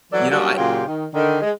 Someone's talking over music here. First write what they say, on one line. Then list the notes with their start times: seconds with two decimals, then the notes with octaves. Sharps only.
You know, I, uh
0.13 E3 F#3 F#4 A4 D5
0.31 F#3 G3 A#3 C#4 D4 F#4
0.56 A#2 C#3 F#3 F4 G4
0.87 D#3
1.14 D3 D#3
1.42 G#3